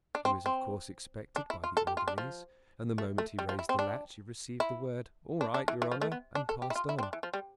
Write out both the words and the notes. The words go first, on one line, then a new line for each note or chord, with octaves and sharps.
He was of course expected by the orderlies, and the moment he raised the latch he received the word: 'All right, your honor!' and passed on.
D4
C4
C4
D4
E4
F4
A4
G4
F4
D4
F3
A3
A3
G3
F3
E4
C4
D4
E4
D4
D4
E3
E3
F3
A3
B3
D4
A4
G4
E4
F4
E4
C4
D4
E3
F3
G3